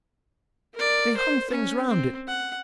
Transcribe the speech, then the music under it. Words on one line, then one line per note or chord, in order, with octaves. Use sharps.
They hung things round it.
A#4 D5
C5
C#4
C4
F#5